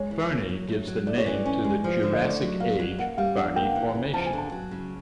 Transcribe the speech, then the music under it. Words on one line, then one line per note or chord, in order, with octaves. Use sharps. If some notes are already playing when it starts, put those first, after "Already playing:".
Fernie gives the name to the Jurassic-Age Fernie Formation.
Already playing: G#3 C#5
E3
A#3
F#3
A3
F#3
A3 D5
C#5
E3 D5
C#4
G#3
F3
D3
D#5
A3 D5
F#3
A#3 F5
F#3
A#3 F#5
G3 F5
D4 F#5
A#3 G5
E3
C#3
F3 A5
G#5
D3
A5
F#3
C#3